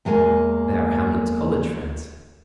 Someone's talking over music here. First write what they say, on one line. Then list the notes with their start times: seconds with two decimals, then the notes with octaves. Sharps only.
They are Hamlet's college friends.
0.05 E2 G#3 A#3 G#5